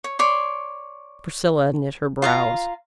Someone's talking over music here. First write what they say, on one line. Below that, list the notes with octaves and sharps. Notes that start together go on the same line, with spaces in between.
Priscilla knit her brows.
C#5
C#5 D5 C6
F4 F5 A#5